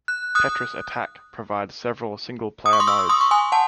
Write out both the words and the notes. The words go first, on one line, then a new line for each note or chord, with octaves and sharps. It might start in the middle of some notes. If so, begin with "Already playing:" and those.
"Tetris Attack" provides several single-player modes.
F#6
D#6 F#6
D#6
C#6
C6 D#6
C#6 E6
E6
C6 D#6
C#6
G#5 C6
F#5 A5